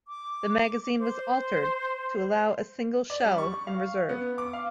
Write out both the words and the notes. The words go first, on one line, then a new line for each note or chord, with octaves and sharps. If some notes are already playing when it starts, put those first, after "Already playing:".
The magazine was altered to allow a single shell in reserve.
D6
C5
D5
G3
C#6
F5
B3
D6
F5